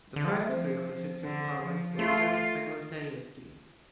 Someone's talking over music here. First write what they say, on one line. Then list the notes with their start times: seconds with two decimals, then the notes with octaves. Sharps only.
The first three of the six installments were filmed simultaneously.
0.16 D3
0.25 F3
0.32 G3
0.41 A3
0.49 F3 C4
1.24 D3
1.61 F3
1.99 A3 F4